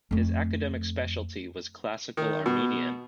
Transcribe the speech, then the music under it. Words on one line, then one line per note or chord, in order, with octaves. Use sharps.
His academic specialty was Classical Armenian.
F2 A3
D#3
B2